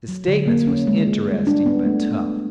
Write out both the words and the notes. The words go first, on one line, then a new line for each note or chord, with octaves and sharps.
The statements was interesting, but tough.
F#3
D3
A#3
C#4
G#3
F4
G3
D4
B3
A3